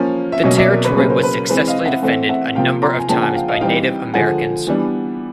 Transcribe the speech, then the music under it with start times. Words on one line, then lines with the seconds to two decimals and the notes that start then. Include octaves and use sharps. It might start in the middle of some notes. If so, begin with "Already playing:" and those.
The territory was successfully defended a number of times by Native Americans.
Already playing: F3 A#3 C#4
0.32 E5
0.44 B2 F#3 A#3 C#4 C#5 D#5
0.57 D5 E5
0.71 A#4
0.85 B4
0.97 C#3 F#3 A#3 C#4 B4
1.10 A#4 C5
1.23 B4
1.37 A#4
1.49 E3 G#3 C4 B4
1.67 D#5 F5
1.85 E5 F#5
2.02 E3 A3 C4 E5 F#5
2.29 E5 F#5
2.55 C3 F3 A#3 F5 G5
2.82 A#5 C6
2.99 G#5
3.08 C#3 F3 A#3 D4 G5 A5
3.22 F#5 G#5
3.35 F5 G5
3.48 D#5 F5
3.61 E3 G3 C4 D#4 F5 G5
4.14 D3 F3 G#3 F#5 G#5
4.67 E3 G3 B3 D4